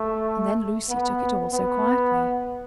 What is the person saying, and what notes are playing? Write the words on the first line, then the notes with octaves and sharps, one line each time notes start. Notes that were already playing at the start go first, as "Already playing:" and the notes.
And then Lucy took it all so quietly.
Already playing: A3
B3
B3